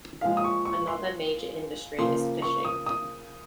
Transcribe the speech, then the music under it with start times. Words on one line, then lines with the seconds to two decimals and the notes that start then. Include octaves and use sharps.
Another major industry is fishing.
0.21 A#2 F3 G#3 F5
0.37 D#6
0.44 C#6
0.65 C#6
0.88 C6
1.98 C#3 F3 A#3 C6
2.42 C#6
2.65 D#6
2.86 D#6